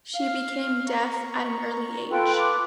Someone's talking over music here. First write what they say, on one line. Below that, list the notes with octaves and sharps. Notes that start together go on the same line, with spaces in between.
She became deaf at an early age.
F5 F6
A#5 C#6
F4 A4 B4 G5 C6
C6 D6 F#6